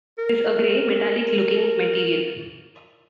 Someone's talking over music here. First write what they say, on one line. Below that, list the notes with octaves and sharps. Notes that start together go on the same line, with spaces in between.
It is a grey, metallic looking material.
A#4